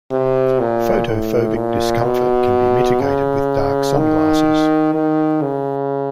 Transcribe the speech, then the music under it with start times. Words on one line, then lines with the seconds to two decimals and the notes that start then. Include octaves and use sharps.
Photophobic discomfort can be mitigated with dark sunglasses.
0.11 C3
0.60 A#2
1.08 A2
1.56 A#2
2.05 B2
3.01 C#3
3.98 D#3
4.94 D#3
5.42 C#3